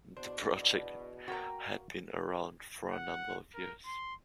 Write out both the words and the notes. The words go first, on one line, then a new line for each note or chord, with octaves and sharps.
The project had been around for a number of years.
E2 B2 D4 C5
A#3 F#4 A#4 G5 A#5
F#5
A#4
C6